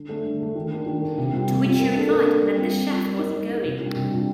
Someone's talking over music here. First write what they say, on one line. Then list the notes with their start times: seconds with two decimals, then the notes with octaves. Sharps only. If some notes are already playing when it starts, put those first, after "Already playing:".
To which she replied that the chef wasn't going.
Already playing: D3
0.09 A3 D4 A4
0.25 D3
0.40 A3 D4 A4
0.55 D#3
0.71 A#3 D4
0.86 D#3
1.02 A#3 D4
1.18 C3
1.33 G3 C4 F4
1.48 C3
1.64 G3 C4 F4
1.79 A#3
1.95 D4 A4
2.11 A#3
2.26 D4 A4
2.41 G3
2.57 C4 F4
2.73 G3
2.87 C4 F4
3.03 A#3
3.19 D#4 A#4
3.34 A#3
3.50 D#4 A#4
3.65 C3
3.80 G3 D4 F4
3.96 C3
4.11 G3 D4 F4